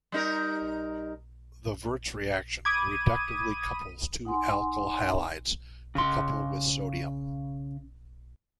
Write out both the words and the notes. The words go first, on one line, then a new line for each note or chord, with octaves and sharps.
The Wurtz reaction reductively couples two alkyl halides to couple with sodium.
G3 D#4 A#4
B5 D6 D#6 G#6 D#7
D#4 F#5 G#5 C6
C#3 C6